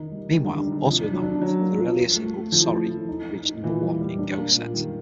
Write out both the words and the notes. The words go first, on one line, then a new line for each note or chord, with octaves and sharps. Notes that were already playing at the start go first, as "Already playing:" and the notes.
Meanwhile, also in that month, their earlier single, "Sorry", reached number one in "Go-Set".
Already playing: D#3 D#4
G3
D#3 G3
D3
G3
D3
D#4
D3
C3 F3
D4
F#3
D4
F#3 D4
A#3
F3
F3
A3
A3
F3 E4
A3
E4
D#4
D#4
D#4
A#2 E3
G3
G3
D4
A#3
A#2
D#3 G3